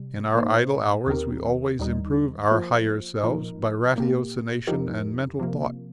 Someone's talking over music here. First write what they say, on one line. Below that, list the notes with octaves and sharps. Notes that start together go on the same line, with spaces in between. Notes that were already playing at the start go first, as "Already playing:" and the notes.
In our idle hours we always improved our higher selves by ratiocination and mental thought.
Already playing: C3 G3
A#2 A#3 D#4 C5
D#2 D#3 C4 G4 A#4
D#2 D#3 G3 D#4
F3 A#3 F4 C5
A#2 F3 D#4 A#4
A#2 A#3 G4
F2 F3 D#4 G4 A#4
C3 F3 A#3